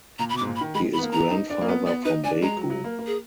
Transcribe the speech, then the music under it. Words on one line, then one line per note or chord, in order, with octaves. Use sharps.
He is grandfather from Baku.
A#2 A#5
B5
B2 D6
G#2
A#2
B5
D#3
G#3 B5
B5
B3
A#3
B3 A#5
D#4
D4
A#3
B3
B3 D5
D#4 B4
D4 G#5
G#3 A#5
F#3
F#3
A#3
A#3
G#4